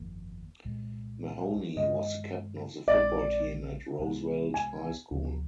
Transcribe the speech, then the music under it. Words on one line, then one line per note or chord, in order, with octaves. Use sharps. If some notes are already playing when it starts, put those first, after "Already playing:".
Mahoney was the captain of the football team at Roosevelt High School.
Already playing: G1 F2 D#3 A#3
C2 A#2 G#3
G2 D#3 G#3 D#5
A#1 A#2 G#3 C4 D5
C2 C3 D#3 G#3
G#5
D2 C3 F3